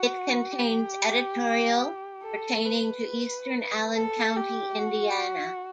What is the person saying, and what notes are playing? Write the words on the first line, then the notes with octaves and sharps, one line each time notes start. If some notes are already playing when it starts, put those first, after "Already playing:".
It contains editorial pertaining to Eastern Allen County, Indiana.
Already playing: F#4
G4
A4
B4
A4
G4
F#4